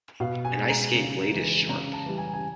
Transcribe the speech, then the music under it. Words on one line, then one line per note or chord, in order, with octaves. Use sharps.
An ice skate blade is sharp.
B2 F5
G#5
G#3
A#5
C#3
E3 G#3
C#3 A#5
A5
E3 G3
G#5
G#5